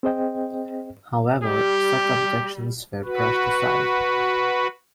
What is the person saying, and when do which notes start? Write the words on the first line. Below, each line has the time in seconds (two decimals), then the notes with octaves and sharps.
However, such objections were brushed aside.
0.03 C4 G#4 C5 D#5 G5
1.43 G3 G4
3.05 F#4 B4